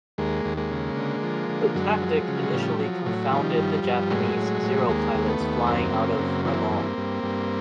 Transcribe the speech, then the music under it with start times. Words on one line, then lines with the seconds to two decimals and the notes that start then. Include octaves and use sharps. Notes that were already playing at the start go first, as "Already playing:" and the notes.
The tactic initially confounded the Japanese Zero pilots flying out of Rabaul.
0.18 D#2 G#3 A#3
0.45 D#2
0.57 G#3 A#3
0.71 C#3
0.97 D3
1.23 F3
1.49 D3
1.75 F#2 F#3 G#3
2.01 F3
2.28 C#3
2.43 G#3
2.53 A2 F3 G3
2.79 F3 F#3
3.06 A2 F#3
3.32 D#3 F3 G3
3.58 G2
3.84 G2
4.10 A2 F#3 G#3
4.37 A2
4.62 A2
4.88 D#2 G#3 A#3
5.14 D#2
5.27 A3 B3
5.40 D#2
5.67 F#2 A#3 C4
5.93 C#3
6.19 F#2
6.44 E3 A#3 C4
6.71 G2
6.98 G2
7.23 G2